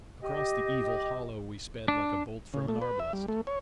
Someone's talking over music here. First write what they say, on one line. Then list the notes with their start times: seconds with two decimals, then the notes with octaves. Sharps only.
Across the evil hollow we sped like a bolt from an arblast.
0.23 G4 D#5
1.88 D4
2.54 C#3
2.68 A3
2.82 B4
3.00 E5
3.13 G3
3.28 A3
3.47 C#5